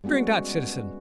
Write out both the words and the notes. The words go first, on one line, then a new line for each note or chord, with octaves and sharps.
Drink that, citizen.
G3 G#3 B3 C#4 F#4